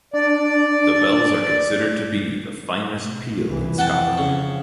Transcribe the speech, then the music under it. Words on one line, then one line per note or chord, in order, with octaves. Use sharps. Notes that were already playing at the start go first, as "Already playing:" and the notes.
The bells are considered to be "the finest peal in Scotland".
D4 D5
B2
C2 E3
F2 F#5 G5 A5
C#3